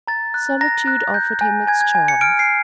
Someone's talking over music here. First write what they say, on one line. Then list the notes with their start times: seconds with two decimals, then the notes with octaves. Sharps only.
Solitude offered him its charms.
0.08 A#5 A6
0.34 F#6
0.61 A#5 A#6
0.88 F#6
1.14 G6
1.41 G#5
1.67 G#5 G#6
1.81 G#6
1.95 G#5
2.08 C#7
2.21 F6 D7
2.39 C7